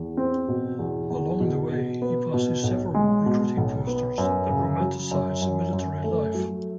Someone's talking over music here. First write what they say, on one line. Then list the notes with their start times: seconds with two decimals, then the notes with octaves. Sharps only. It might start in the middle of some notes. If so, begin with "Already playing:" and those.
Along the way, he passes several recruiting posters that romanticize military life.
Already playing: E2
0.17 C4
0.48 B2
0.79 E2
1.10 E2
1.40 B2
1.72 B2
2.02 B3
2.34 B2
2.64 B1
2.94 G#3
3.26 B2
3.57 B1
3.87 B3
4.18 F#2
4.50 C#3
4.80 F#3
5.11 F#2
5.42 F#2
5.73 F#2
6.04 A3
6.35 F#3